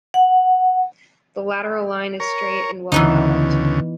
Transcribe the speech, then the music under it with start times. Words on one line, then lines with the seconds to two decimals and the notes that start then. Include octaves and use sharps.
The lateral line is straight and well-developed.
0.14 F#5
2.20 A#4 C#5
2.92 D2 C#3 E3 B3 D#4